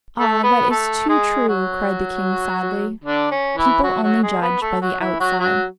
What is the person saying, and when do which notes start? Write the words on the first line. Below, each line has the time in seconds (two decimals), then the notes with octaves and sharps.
"Ah, that is too true!" cried the king, sadly, "People only judge by the outside."
0.18 A3 A4
0.43 B3 B4
0.70 A3 A4
1.09 G#3 G#4
1.48 F#3 F#4
3.04 D3 D4
3.31 C#4
3.57 E3 E4
3.83 F#3 F#4
4.03 F#3 F#4
4.23 G#3 G#4
4.42 B3 B4
4.61 A3 A4
4.81 F#3 F#4
5.00 E3 E4
5.20 F#3 F#4
5.39 F#3 F#4